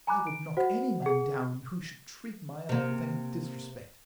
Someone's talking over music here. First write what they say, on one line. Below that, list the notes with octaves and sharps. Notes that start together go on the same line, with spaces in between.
I would knock any man down who should treat my aunt with any disrespect.
G#5 A#5 B5 D6 F#6
D7
F#4 C5 F#5
G#4 F#5
C3 A#3